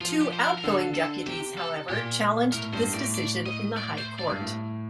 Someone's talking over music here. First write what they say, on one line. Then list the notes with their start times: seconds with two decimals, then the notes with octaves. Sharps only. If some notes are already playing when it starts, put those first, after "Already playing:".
Two outgoing deputies, however, challenged this decision in the High Court.
0.01 F3 F4
0.21 G4
0.33 C5
0.43 A#4
0.58 A#4
0.64 D3 A4
0.94 A4
1.26 C3 G4
1.58 A4
1.89 A#2 G4
2.52 A2 A#4
2.73 G2 C5
2.94 A2 D5
3.15 D5
3.46 D#5
3.77 D5
3.98 C5
4.19 D5
4.29 G2
4.40 A2